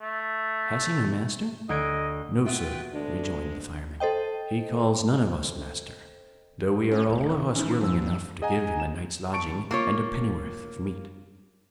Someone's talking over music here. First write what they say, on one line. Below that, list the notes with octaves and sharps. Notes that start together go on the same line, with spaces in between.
Has he no master?' 'No, sir,' rejoined the fireman; 'he calls none of us master, though we are all of us willing enough to give him a night's lodging and a pennyworth of meat.
A3
D2 D#5 G#6 D7
B3 F4 F#4 B4 E5 G5
D2 G#3 D4
A4 C5 D#5 G5
C#4
D1
E3 C#4 D#4
G#2 F3 E6
G2
G#4 D#5 F#5 G#5 A#5
E7
A5 C#6 D7
A#3 F4 C#5